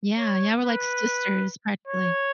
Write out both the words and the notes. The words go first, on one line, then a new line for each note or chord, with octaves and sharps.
Yeah, yeah, we're like sisters, practically.
C#5
B4
C#5